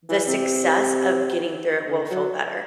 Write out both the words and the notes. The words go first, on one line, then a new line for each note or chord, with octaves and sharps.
the success of getting through it will feel better.
E3
C3
D3
F#3